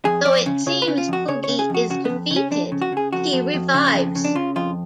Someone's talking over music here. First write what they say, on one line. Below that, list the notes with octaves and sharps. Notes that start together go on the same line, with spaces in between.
Though it seems Oogie is defeated, he revives.
F2 G#4
F2 D5
C#3
C#3 C#5
B4
C#3
F4
F2 F#4
C#3 C#5
C#5
C#3
G#4
F2 F#4
C#3 F#4
F2 B3
C#3
C#4
F2 D4
C#3
F#4
C#3 G#4
F2 F#4
F2
F2
C#3
F2
C#3
D4
C#3 F4
F2 F4